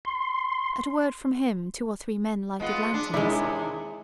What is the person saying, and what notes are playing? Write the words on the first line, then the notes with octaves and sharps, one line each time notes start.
At a word from him two or three men lighted lanterns.
C6
G#3 B3 F4
D4
D#2 C3 G#3 E4 D5